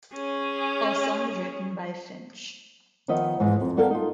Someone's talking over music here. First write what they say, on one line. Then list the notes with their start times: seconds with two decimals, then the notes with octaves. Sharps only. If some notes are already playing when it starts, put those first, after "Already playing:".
All songs written by Finch.
0.14 C#4 G#4
3.08 D#3 F3 B3 D#5 E5
3.40 G#2 E3 F3
3.61 F2
3.77 G3 B3 A4 A#4 F5
3.90 D#4 F4